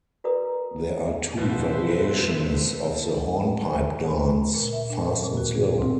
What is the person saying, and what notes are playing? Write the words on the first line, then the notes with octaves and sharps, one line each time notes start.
There are two variations of the hornpipe dance: fast and slow.
F#4 A#4 B4 D5 A#5 D#6
B2 F3 B4 C5 E5
A#2
E5
D4
B4
A#2
F#4
G#4
C4